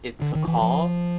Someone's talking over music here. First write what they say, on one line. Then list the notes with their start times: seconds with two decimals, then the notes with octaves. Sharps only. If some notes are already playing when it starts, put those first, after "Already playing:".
it's a call,
0.22 D3
0.35 D#3
0.47 E3
0.62 F3